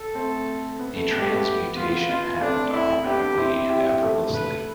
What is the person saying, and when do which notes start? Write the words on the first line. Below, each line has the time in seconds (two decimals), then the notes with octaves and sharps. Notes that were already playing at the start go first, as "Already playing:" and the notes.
The transmutation happened automatically and effortlessly.
Already playing: A4
0.15 A3 C4
0.79 B3
0.95 A3
1.11 B3 G4
1.23 A3
1.33 B3
1.76 B3 F4
1.93 B3
2.09 B3 F4
2.40 A3 C4 D4
2.73 E4
3.05 B3 D4 G4
3.37 C4 E4
3.69 E4 G4
4.01 A3
4.33 B4